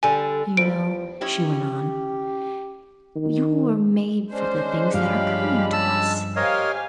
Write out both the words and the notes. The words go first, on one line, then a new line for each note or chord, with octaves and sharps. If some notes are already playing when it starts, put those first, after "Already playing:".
You know," she went on, "you were made for the things that are coming to us.
D3 G3 G4 G#5
E2 F3 G3 D7
C#4 E4 G4 D#5
D#3
G#3 C#4 D4 C5
G2 F3 G4 F5 B5
A5 E6
G4 A#4 C5 C#5 D#5 F5 G#5